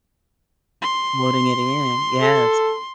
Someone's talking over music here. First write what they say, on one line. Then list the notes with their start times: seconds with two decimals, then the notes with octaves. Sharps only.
Loading it in, yes.
0.82 C6
2.21 A4